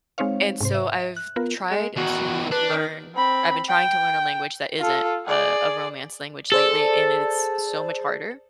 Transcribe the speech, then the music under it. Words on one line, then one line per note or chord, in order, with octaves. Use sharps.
and so, I've tried to learn I've been trying to learn a language that isn't, uh, a romance language lately, and it it's so much harder,
G#3 C4 D#4 C5 C#5 F5
G#2 C3 C5
E5
F#6
B3 F4 A#4
G#3
E2 D#3 F#4
D4 B4
D#3
C4 B5
G5
F4 A4
G#4 D5
G#4 A4 C5 D5